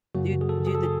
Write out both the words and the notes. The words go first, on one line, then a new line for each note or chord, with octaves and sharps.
do do the
F#2 C#3 F#3 A#3 F#4
G#4
A4
G#4
A4
G#4